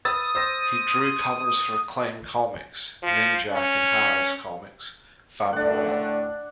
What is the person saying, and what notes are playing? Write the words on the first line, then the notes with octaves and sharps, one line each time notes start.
He drew covers for Acclaim Comics' "Ninjak" and Harris Comics' "Vampirella".
B4 D#6 E6 A6
C5 E6 A#6
F3
C#4
A2 D3 A3 D4 F#5